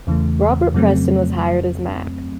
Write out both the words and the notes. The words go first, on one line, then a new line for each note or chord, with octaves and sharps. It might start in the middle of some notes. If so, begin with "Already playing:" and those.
Robert Preston was hired as Mack.
E2 C#3 E3 A3
F2 C#3 F#3 A3 C4